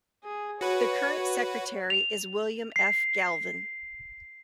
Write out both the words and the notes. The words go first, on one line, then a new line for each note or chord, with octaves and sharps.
The current secretary is William F. Galvin.
G#4
F#4 B4 C#5
F7
C7